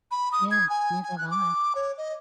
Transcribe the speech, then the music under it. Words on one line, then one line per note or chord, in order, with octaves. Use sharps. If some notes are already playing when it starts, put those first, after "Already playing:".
Yeah, neither have I.
B5
D#6
G#6
G#5
G#5
F#6
D6
C#5
D#5